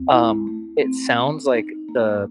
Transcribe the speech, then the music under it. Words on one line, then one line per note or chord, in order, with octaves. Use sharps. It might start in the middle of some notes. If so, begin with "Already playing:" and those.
um, it sounds like, the
Already playing: D2 C4
E4
A3
C4
B3
D#4
A#3